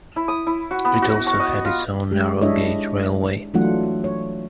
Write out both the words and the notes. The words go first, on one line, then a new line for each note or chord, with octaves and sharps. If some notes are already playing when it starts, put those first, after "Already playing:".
It also had its own narrow gauge railway.
E4
D#6
E4
F#4
B3
F#4
C#6
D#5
F4
G#3 G4
G#3 D4 E4 C#5 D#5 E5
E3 F#3 A3 D4 F4 F#5
C#5